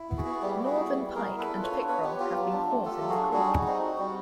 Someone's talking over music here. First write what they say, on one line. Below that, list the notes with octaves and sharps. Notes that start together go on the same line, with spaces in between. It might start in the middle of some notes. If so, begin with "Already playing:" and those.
Northern pike and pickerel have been caught in the creek.
Already playing: E4
B3
F#4 G#4
B3
G3 G4
E4 G4
F#4 G#4
B3
G3
G3
G#4 A#4
E4
B3 A4 B4
F4
B4 C#5
D4
B3 B4 C#5
B3 G4
F4 G4
F#3 G4
D4
A3
F4 G4 A4
F#3
F#4 G#4
D4
G3 F#4 G#4
D#4
F#4
C4
F#4
G3